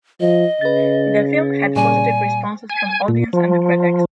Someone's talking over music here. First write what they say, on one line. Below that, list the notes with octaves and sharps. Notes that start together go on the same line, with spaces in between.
The film had positive responses from audience and critics.
F3 D#5
C#3 B4 A6
A#2 G3 D5 G#5
G#5
A#2
F3